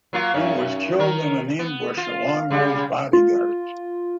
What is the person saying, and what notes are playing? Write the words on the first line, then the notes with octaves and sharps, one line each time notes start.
He was killed in an ambush along with his bodyguards.
F#3 A#3 F4
F#2 C#4 D#4
D#3 A#4
B3
F4
C#3 G3 G#3
F4